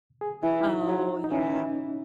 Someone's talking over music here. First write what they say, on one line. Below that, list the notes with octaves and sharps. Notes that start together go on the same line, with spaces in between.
Oh, yeah.
G#4
E3 E4
E4
D#4
F#3
D#4
E3 C#4